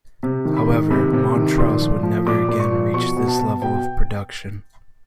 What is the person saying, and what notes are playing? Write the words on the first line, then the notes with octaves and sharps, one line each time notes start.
However, Montross would never again reach this level of production.
C3
D#3
B5
D#3
C3 B5
C3
D#3
A#2 C6
F3
F3
A#2 D6
A#2
C#6
F3
B2 C#6
B2
A5
B2
B2 G5